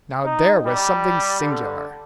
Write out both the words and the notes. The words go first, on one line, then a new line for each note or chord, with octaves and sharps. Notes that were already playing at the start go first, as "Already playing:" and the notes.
Now there was something singular.
D#4
G3
D3